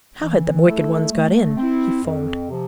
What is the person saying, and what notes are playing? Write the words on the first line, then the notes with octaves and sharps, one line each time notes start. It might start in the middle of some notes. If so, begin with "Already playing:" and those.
"How had them wicked ones got in?" he foamed.
E3
A3 E4 A4
A3
C4 E4
F2
C3 F3